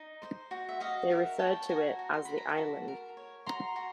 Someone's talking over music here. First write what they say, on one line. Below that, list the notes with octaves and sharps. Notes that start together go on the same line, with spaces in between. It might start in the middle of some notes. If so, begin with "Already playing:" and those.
They referred to it as "The Island".
Already playing: D#4
C5
F#4
E5
F#4 D#5 F5
A#4 E5 F#5
C#5 G5 A5
F#4 G#5 A#5
F#4
C6
A#4 B5
A#5
A5 B5
F#4
A#4
C#5
F#4 A#5 C6
F#4